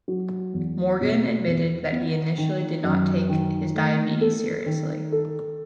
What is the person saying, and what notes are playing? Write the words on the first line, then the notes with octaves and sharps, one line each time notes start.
Morgan admitted that he initially did not take his diabetes seriously.
F#3
E2
B2
E2
B3
D#3
F#2
D#3
A3
A4
D#3
A4